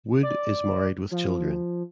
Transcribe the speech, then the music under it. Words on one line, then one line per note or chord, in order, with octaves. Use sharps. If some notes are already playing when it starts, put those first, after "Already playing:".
Wood is married with children.
D5
F3